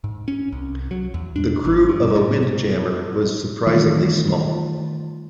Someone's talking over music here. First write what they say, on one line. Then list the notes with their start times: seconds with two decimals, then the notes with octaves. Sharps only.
The crew of a windjammer was surprisingly small.
0.04 G#2
0.28 C#4
0.52 C2
0.91 F#3
1.14 E2
1.36 D4
1.65 G#1
1.89 G2
2.16 A2
2.43 G#2
2.65 B2
3.67 D#3 E3 G3 A3 F4